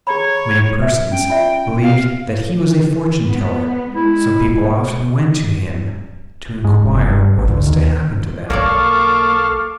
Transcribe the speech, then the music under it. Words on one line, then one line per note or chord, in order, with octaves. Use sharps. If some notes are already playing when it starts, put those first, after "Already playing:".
Many persons believed that he was a fortune-teller, so people often went to him to inquire what was to happen to them.
G#4 C#5 A#5 B5
E5
C#4 G5
F4 D5 E5
F5
B3
G#3 E4
G#2
F1
G2
A1
D2
D#2
B1 A#3 A4 C#5 D5 F5 C#6 D6